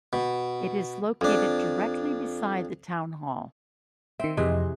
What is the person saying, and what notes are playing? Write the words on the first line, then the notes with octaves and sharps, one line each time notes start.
It is located directly beside the Town Hall.
B2
F2 D4
D#3 C4 E5
F2 C3 E3 G#4 D#5